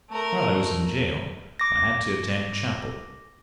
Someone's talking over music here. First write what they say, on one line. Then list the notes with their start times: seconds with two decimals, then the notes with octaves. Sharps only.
While I was in gaol I had to attend chapel.
0.10 A3 A#4
1.59 D6 A#6